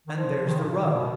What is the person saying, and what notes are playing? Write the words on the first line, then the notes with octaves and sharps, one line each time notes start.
And there's the rub.
D#3
F3
D#3
C#3
A#2
B2
D#3
B2